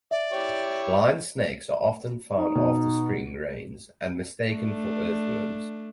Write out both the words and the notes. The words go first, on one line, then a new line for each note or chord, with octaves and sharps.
Blind snakes are often found after spring rains and mistaken for earthworms.
D5 E5
E4 G4 C#5
D#4
B2
A3 D4